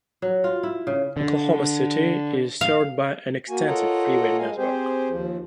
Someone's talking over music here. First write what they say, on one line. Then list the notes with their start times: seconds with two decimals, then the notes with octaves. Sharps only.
Oklahoma City is served by an extensive freeway network.
0.22 F#3
0.44 F4
0.63 E4
0.87 C#3
1.17 D3
2.61 F5
3.49 A#3 F#4 G#5
3.66 F4 A4 A#4 C#5 D#5 F#5
4.38 G#3 F5 G#5
4.57 C4 G4 G#4 C5
5.09 D#2 F3